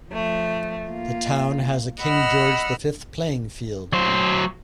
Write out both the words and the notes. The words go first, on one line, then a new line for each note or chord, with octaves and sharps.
The town has a King George the Fifth Playing Field.
F3 A3
A#3 F4
D#5 F#5 B5 E6 F6
F#3 C5